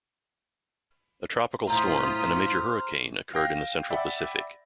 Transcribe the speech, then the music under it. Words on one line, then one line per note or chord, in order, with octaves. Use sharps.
A tropical storm and a major hurricane occurred in the Central Pacific.
A2 F4 C5 A#5 D#6 F6 G6 B6
F5 G5 A#6
D5 E5 F#5 G5 B5